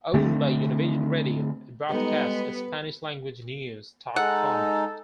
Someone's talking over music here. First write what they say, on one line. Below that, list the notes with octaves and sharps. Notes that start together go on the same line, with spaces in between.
Owned by Univision Radio, it broadcasts a Spanish-language news talk format.
D3 A3 C4 D4
G3 G#3 B3 D#4 A4
B4
G#3 D#4 A4 F#5